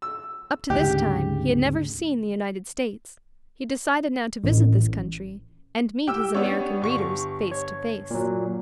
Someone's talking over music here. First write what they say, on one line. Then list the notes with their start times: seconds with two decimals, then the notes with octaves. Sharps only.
Up to this time he had never seen the United States; he decided now to visit this country and meet his American readers face to face.
0.02 E6
0.70 D2 G#2 C#3 G4
4.44 A1
6.08 G4 G5 E6
6.34 B3 D4 C#5
6.82 G1 C#6
7.52 C#5
8.11 A#2 F#3